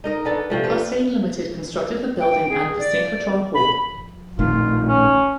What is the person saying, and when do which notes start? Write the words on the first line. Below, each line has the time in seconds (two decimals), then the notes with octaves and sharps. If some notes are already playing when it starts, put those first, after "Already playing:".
Costain Limited constructed the building and the synchrotron hall.
0.04 D#4 A#4 D#5
0.25 B3 D4 A4
0.50 C3 F3 A3
0.63 B3 B4 C5
2.20 G5
2.50 G#4
2.79 D5
3.54 B5
4.39 A#1 A2 D#3 F4
4.88 C#4